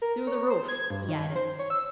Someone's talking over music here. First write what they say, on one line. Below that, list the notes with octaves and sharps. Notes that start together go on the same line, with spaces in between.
"Through the roof," he added.
A#4
C#5
C5
G#6
G2
D#3
C5
C#5
E6